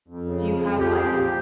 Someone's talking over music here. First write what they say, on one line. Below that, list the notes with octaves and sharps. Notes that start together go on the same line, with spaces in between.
Do you have, like,
F2
C#3
F3
F2
F3 G4
G#4
F3
G4
A#2